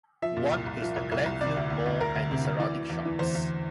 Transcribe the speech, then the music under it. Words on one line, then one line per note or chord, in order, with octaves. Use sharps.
One is the Glenfield Mall and the surrounding shops.
F3 E5
A#2
C2
C2
F3
C2
C2
C2
C3 D5
D2
D2
D2
D2 A#4
D2
C3
D2
E3 D5
E3
E2
E3
E2 C5
E2